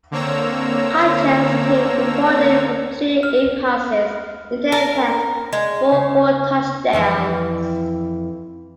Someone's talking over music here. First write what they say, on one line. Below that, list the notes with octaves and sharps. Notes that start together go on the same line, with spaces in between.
Cochems' team reportedly completed eight passes in ten attempts for four touchdowns.
D3 A#3 C4 C#5 A#5 E6
F6
A#4
G#3
C#3
F2 E3 E4